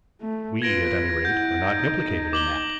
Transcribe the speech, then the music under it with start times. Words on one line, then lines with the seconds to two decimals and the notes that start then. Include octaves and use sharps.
"We at any rate are not implicated in that."
0.21 A3
0.62 F4 B4 G#6 A#6 D7
1.25 E4 F#5 G6
1.64 D#4
2.33 D6 F#7 G7